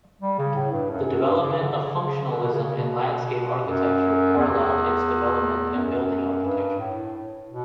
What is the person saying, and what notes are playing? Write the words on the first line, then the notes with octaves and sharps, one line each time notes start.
The development of functionalism in landscape architecture paralleled its development in building architecture.
G3
C#3
A2
G2
F#2
F#2
G2
C#3
D3
C#3
C#3
D3
B2
C#3
B2
F#2
E2
F#2
G2
A2
B2